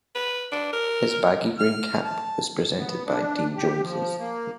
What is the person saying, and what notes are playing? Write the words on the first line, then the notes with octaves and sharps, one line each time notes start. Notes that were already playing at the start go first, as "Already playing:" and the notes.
His baggy green cap was presented by Dean Jones.
B4
D4
A#4
F6
A5
B3
D4
G4
F3
A#3